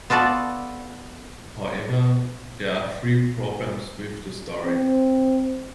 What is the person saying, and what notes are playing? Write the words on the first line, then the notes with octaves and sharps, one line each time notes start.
However, there are three problems with the story.
B3 F4 F#4 A4 D5
C4